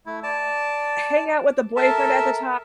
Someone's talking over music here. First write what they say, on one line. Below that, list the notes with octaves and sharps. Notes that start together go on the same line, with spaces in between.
hang out with the boyfriend at the ti
A3 E4
D5 A5
A4 A#4 E5 A5